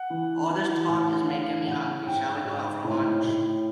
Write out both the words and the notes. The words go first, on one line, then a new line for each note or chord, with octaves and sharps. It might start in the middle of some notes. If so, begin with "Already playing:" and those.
All this talk is making me hungry, shall we go out for lunch?
Already playing: F#5
E3
E3
A2
E3 F5
A2 F#5
G#2 G5
G#2
A2
A2